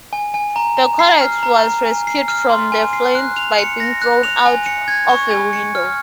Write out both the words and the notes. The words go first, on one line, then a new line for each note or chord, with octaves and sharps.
The codex was rescued from the flames by being thrown out of a window.
G#5
G#5
A#5
A#5
C7
F6
A#5
A#5
G#5
C7
F6
C6
G#5
C7
F#6
F7
C#7
A#6
F#6
F7
G#5
C#7
G#6
C#6
G#5
C#7
F6